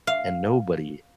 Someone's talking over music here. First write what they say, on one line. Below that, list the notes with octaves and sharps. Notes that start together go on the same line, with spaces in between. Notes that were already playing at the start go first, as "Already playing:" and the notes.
And nobody
F5